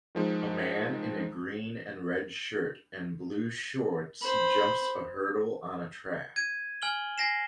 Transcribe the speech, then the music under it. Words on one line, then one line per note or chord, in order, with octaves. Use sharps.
A man in a green and red shirt and blue shorts jumps a hurdle on a track.
D#3 F3 G#3
C5 B5
G#6 D#7
G#5 F6 F#7 G7
G#5 A#6 C7 E7